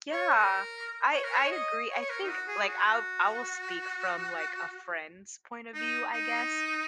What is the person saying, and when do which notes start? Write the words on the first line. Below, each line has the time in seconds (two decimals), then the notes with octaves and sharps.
Yeah, I I agree. I think like I'll I will speak from like a friend's point of view, I guess.
0.12 C#5
0.37 A#4
1.13 C#5
1.24 A#4
1.36 C#5
1.52 D#5
1.91 C#5
2.01 C#5
2.10 A#4
2.24 D#4
2.29 F#4
2.48 G#4
2.68 F#4
5.74 D#4
6.13 D#4